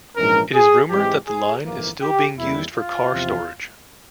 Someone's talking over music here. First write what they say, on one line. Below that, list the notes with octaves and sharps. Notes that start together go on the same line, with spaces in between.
It is rumored that the line is still being used for car storage.
A#1 G#2 E3 G#3 C#4 A#4
G#4
G#2 E3 G#3 C4 G4
G#4
G1 F2 E3 A#3
G4
E2 C#3 G3 A#3 E4
F4
E2 C3 F3